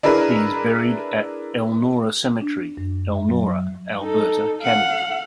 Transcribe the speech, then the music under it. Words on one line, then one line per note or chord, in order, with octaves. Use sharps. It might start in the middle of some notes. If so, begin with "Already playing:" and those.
He is at buried at Elnora Cemetery, Elnora, Alberta, Canada.
D4 E4 G#4 A#4 B4
D4
F#2
E5
F#3
D#4 A4
F5 F#5